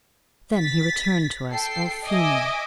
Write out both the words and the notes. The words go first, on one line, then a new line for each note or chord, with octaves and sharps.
Then he returned to us, all fuming.
A6 B6
A4 G5 C7
D#5 E5 G#5 D6